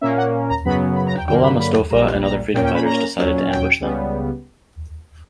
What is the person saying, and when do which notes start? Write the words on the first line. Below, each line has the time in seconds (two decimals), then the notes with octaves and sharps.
Golam Mostofa and other freedom fighters decided to ambush them.
0.01 A#2 A#3 C#4 E5
0.18 F#5
0.49 A#5
0.65 F#2 C#3 F#3 B3 B5
0.96 B5
1.07 A#5
1.17 G5
1.27 G2 D3 F#3 A#3 G5
1.44 B5
1.59 B5
1.90 A#1 A#2 G3 A#5
2.22 A#5
2.54 A#2 A#3 C#4 G5
2.64 G5
2.75 B5
2.85 A#5
3.17 A#2 F#3 C#4
3.49 G5
3.80 C#2 C#3 G3 B3